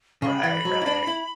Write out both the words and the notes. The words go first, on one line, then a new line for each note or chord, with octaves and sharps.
Right, right.
C#3 B5 C#6
E3
F#3
E4
D4
E4